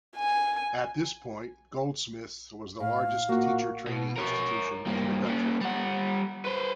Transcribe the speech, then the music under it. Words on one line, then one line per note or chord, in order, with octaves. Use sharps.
At this point Goldsmiths was the largest teacher training institution in the country.
G#5
A2 F5
A#2 A#3 F#4
B2
A#4 C#5
G2 A#3
A#3 C#4
G3 F#5
B4 C5